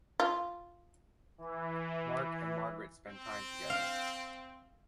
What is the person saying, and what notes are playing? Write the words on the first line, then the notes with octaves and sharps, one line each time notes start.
Mark and Margaret spend time together.
F4
E3
C4
F5